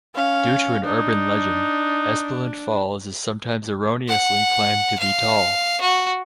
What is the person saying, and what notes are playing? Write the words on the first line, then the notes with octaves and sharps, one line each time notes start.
Due to an urban legend, Espeland Falls is sometimes erroneously claimed to be tall.
C#4 F5
D4 D#4
F#5
F5
F#4